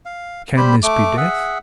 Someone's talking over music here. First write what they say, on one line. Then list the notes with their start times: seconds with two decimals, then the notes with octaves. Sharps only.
'Can this be death?
0.05 F5
0.57 G3 G4 C5 B5
0.83 A3 D6
1.17 G#4 E5 F#5